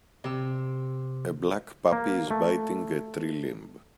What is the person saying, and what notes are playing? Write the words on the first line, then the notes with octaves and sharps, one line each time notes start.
A black puppy is biting a tree limb.
C3 E6
A#3
A3